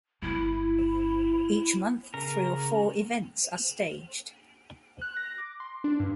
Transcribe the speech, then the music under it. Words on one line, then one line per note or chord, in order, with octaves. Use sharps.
Each month, three or four events are staged.
G1 E4
C#3 A#4
F#6
A#6
D6
C6
D4
G2